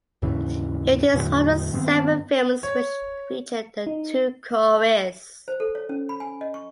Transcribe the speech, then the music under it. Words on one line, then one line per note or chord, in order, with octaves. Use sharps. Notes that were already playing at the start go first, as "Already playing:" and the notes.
It is one of seven films which featured The Two Coreys.
D#2 G#2 C#3 E3
E2 A2 D3 F#3
G2 D#3 B3 C4
C#5
D#4
C5
A4
C#5
C#4
B5
G#5
D#5
C#6